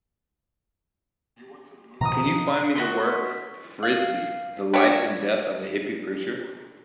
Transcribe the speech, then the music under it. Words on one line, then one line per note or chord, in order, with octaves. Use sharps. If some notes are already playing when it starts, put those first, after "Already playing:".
Can you find me the work, Frisbee: The Life and Death of a Hippie Preacher?
B2 D#3 F3 A#5 D#6
F#4 D#5 E5 C6
F5
G3 D4 C#5